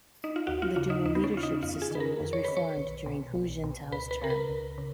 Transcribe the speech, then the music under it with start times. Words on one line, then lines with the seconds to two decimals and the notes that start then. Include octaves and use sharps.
The dual-leadership system was reformed during Hu Jintao's term.
0.24 D#4
0.36 F4
0.47 D#2 F#4
0.62 F4
0.76 C#3 F4
0.90 D#4
1.05 D#2 D#4
1.15 B3
1.24 C#4
1.34 C#3 F4
1.43 D#4
1.63 F2 F4
1.82 G#4
1.91 D#3 B4
2.00 A#4
2.20 F2
2.33 C#5
2.44 D#3 B4
2.57 C#5
2.77 B1
3.06 B2
3.35 B1
3.64 B2
3.92 C#2 B4
4.11 B4
4.22 C#3 A#4
4.30 B4
4.50 C#2
4.78 C#3